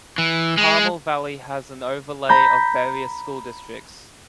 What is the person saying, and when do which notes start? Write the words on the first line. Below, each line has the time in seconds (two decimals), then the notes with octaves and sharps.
Carmel Valley has an overlay of various school districts.
0.18 E3
0.58 G#3
2.29 A#5 B5 G6